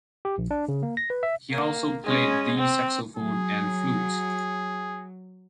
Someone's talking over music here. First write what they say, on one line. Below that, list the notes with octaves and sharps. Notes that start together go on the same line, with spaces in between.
He also played the saxophone and flute.
G4
A#1
D4
C#3
A#3
A#6
B4
E5
A#3
G#3 C#4
C4
F#3 G#4